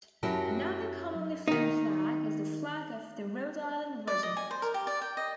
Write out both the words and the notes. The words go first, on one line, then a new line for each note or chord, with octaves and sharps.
Another commonly flown flag is the Flag of the Rhode Island Regiment.
F#2 F#3 E4 G4 A#4 A5
D#3 D#4
D5
D#5
G#5
C5
A#4
G4
D5
G5
D#5